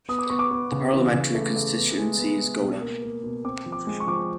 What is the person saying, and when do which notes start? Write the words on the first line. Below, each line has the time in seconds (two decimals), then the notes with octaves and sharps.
The parliamentary constituency is Godda.
0.09 B3 D#6
0.19 D6
0.30 B3 C#6
0.39 D6
0.51 B3
0.72 C#3
0.93 E3
1.13 C#3
1.35 A3
1.56 A3
1.76 B3
1.98 G#3
2.19 B3
2.39 B3
2.60 B2
2.81 A#3
3.02 A#3
3.23 B2
3.44 C4 D6
3.66 F3
3.72 D6
3.87 G#3
4.00 C#6
4.07 F3 D6
4.16 C#6